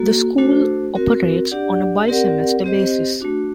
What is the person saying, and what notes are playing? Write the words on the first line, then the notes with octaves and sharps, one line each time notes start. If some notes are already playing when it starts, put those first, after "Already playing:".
The school operates on a bi-semester basis.
Already playing: A#3 F#4 A4
A3 D4 F#4 A4 C5
C4 F#4 A#4
D4 G4 D5 F#5
C4 G4 A#4 D5 F#5
C4 G4 C5 D#5
A3 D4 F#4